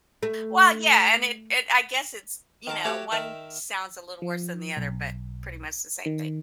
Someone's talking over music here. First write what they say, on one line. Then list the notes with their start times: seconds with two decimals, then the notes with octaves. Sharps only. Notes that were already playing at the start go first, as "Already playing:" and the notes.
Well, yeah, and it it I guess it's, you know, one sounds a little worse than the other, but pretty much the same thing.
0.23 A3
2.67 D#3 A#4 A5
2.85 A3 F#4 G4 C#5 G5 A5
3.12 D#3 A#4 E5
4.22 F3
4.77 B1
6.06 D#3